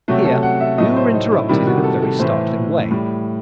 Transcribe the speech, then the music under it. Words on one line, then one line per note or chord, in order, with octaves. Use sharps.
Here we were interrupted in a very startling way.
C3 F#3 A3 F#4
A4
F#5
E5
A2 F#3 A3 D#5
C5
D#4
E4
C3 D#3 G3 E4
F#4
A4
A4
A2 E3 A3 C5
A2 G3